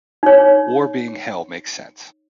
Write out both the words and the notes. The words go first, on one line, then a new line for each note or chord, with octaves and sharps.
War being hell makes sense.
D#4 C#5